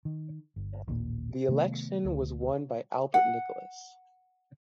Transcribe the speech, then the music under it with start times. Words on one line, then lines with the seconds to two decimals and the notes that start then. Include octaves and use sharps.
The election was won by Albert Nicholas.
0.05 D#3
0.56 G1
0.88 A1 D#2 A#2
1.48 C3 D#3 A3 B3
2.05 D2
3.14 F#5